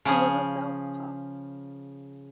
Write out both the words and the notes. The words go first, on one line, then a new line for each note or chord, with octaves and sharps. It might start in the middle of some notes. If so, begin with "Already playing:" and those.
He was a southpaw.
C#3 F3 G#4